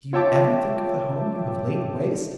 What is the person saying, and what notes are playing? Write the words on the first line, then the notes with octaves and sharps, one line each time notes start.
Do you ever think of the home you have laid waste?'
F4 C#5 E5 G5 A5 D6